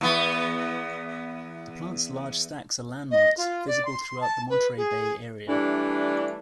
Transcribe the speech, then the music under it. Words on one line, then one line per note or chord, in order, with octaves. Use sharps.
The plant's large stacks are landmarks, visible throughout the Monterey Bay Area.
E2 B3
D#5
F4
D5
C6
A5
B4
G#4
E3 G3 A3 D4